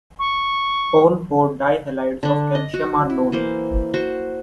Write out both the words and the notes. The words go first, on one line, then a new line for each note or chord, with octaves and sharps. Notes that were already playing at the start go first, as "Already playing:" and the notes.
All four dihalides of calcium are known.
C#6
D3 D4
D#5
F#4
E4
E3 A#3 C5
F#4 C5 C#6